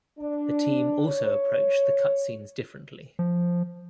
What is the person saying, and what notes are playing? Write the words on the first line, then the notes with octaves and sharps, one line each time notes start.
The team also approached the cutscenes differently.
D4
C#5
F3